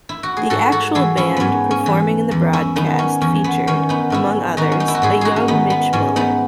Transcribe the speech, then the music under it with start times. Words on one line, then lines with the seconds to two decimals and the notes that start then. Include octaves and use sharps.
The actual band performing in the broadcast featured, among others, a young Mitch Miller.
0.09 E4
0.23 F#4
0.37 G#4
0.50 G#2 F#4 A4
0.72 F#4 A4
0.95 E3 E4 G#4
1.17 C#4 E4
1.37 G#2 B3 C#4
1.71 C#4
1.86 E3
2.31 E2
2.53 C#4 E4
2.76 D#3 B3 D#4
2.99 C#4
3.21 E2 C#4
3.44 B3
3.67 D#3 C#4
3.89 B3 D#4
4.10 G#2 C#4 E4
4.57 D#3 D#4 F#4
4.72 C#4
4.80 D#4
4.88 E4
4.95 F#4
5.02 G#2 E4 G#4
5.21 D#4 F#4 G#4
5.36 C#4
5.48 D#3 B3 D#4
5.70 B3
5.93 G#2 C#4
6.16 B3 D#4